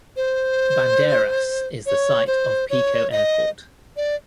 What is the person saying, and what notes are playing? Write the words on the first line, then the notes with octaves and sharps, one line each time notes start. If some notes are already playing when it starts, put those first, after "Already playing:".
Bandeiras is the site of Pico Airport.
C5
C#5
C5
C#5
D#5
D5